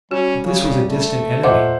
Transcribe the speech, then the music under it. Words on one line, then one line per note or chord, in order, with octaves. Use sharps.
But this was a distant enemy.
G3 C#4 F#4
C#3
A3
A#2 C5 D#5 E5 F#5 D6